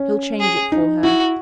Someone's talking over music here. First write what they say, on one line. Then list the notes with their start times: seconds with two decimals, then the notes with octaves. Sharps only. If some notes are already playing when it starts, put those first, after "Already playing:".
He'll change it for her.'
Already playing: C#4
0.40 G#4
0.72 D#4
1.03 E4 F#4